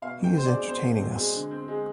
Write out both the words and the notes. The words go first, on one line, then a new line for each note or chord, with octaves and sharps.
He is entertaining us.
B2 F5
B2
G5
C4 C5
D5
G#3
B2 C5
B2
C4
G#3
D3
C4
G#3